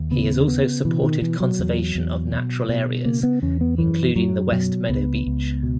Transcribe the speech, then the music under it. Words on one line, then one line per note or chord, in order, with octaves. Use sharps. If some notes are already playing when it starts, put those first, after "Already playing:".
He also supported conservation of natural areas, including the West Meadow Beach.
Already playing: D#2
C#3 B3
C#4
C#3 B3
B2 E3
D#3
B2 E3
F#3
E2
E2
B2
B2
C#3 A#3
B3
E2 C#4
B3
F#2 E3
F#2 F#3
B2 F#3
C#2 B3
C#2
B2